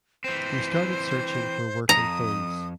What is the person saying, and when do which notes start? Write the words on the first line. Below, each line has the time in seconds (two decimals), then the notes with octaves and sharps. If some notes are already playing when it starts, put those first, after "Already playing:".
He started searching for work in films.
0.24 E3 C4 C5
1.89 F2 A#5 D#6